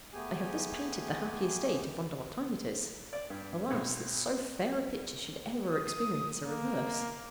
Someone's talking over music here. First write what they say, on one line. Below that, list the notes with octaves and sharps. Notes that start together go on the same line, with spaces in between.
I have thus painted the happy estate of Vondervotteimittiss: alas, that so fair a picture should ever experience a reverse!
A3 B3 G4 G#4 G#5
D5
G2
B1
D#6
A#3